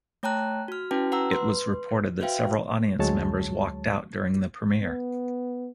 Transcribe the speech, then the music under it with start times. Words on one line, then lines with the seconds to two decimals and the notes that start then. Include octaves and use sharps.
It was reported that several audience members walked out during the premiere.
0.23 A3 C#5 G5 A5 A#5 F#6
0.68 F#4 F6
0.91 C#4 E4 F#4 B4 G5 A5
1.12 B4 F#5 A#5 E6
1.31 B4 C6
2.21 F#4 B4 C5 E5 F5 G5
2.99 D2 F#3 G#3 C#5 A5
4.82 B3